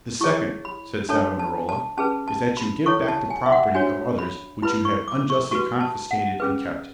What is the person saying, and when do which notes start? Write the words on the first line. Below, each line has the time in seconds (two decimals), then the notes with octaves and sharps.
"The second," said Savonarola, "is that you give back the property of others which you have unjustly confiscated and kept."
0.21 E4 G#4 C#5 C#6
0.65 B5
1.09 D4 A4 C#5 A5
1.39 A5
1.69 A5
1.97 C#4 G#4 B4 A5
2.28 A5
2.57 B5
2.86 E4 A4 C#5 C#6
3.08 A5
3.30 G#5
3.46 E5
3.52 F#5
3.74 D4 F#4 C#5 G#5
4.19 B5
4.62 E4 B4 B5
4.85 C#6
5.08 D6
5.30 C#6
5.51 F#4 B4 C#6
5.81 A5
6.11 F#5
6.40 C#4 G#4 B4